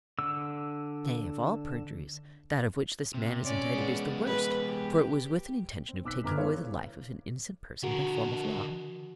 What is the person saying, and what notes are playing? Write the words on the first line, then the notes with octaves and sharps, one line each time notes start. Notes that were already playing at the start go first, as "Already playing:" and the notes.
Nay, of all perjuries, that of which this man is indicted is the worst; for it was with an intention of taking away the life of an innocent person by form of law.
D3 E6
C3
C#4 D5
G#3 B3
B4
G4
C4
B1 D6 E6 F#6 B6
G1 D3 A#5 D6 F6 G#6
G#3 A3 B3 E4 C#5 F5
D3 F#4 A#4